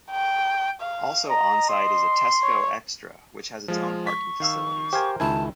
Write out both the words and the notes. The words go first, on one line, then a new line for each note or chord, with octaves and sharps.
Also onsite is a Tesco Extra which has its own parking facilities.
G5
F5
D#5 A#5
C6
C#5
F3 G#3 F4
C#6 B6
D#3 F5 E6
G4 A#4 C5 F5 G#5
C#2 D#3 E4 G#5 A5